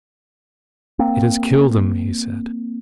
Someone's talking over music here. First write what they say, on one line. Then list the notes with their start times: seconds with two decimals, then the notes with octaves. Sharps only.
"It has killed him!" he said.
0.99 A#3 C4